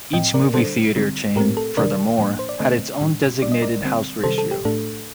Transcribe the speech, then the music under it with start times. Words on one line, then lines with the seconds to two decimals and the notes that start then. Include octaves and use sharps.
Each movie theater chain, furthermore, had its own designated house ratio.
0.13 A2 F3 C4 D#5 G5
0.34 A#4 D5
0.54 D3 G3 D4 A4 C5
0.96 D3 G3 C4
1.36 A2 A3 C4 G4 A#4
1.57 A4
1.77 C3 D#3 G3 D4 A#4 D5
2.18 A2 F3 A#3 D4
2.39 C5
2.49 D5
2.60 D3 A3 C4 C5 D#5
3.01 A2 G3 D4
3.42 A#2 G3 D4 D5
3.52 D#5
3.62 A#4 D5
3.83 D3 G3 C4
4.23 C3 D#3 G3 A4 C5
4.38 A4
4.51 G4
4.65 A2 A3 D4 A4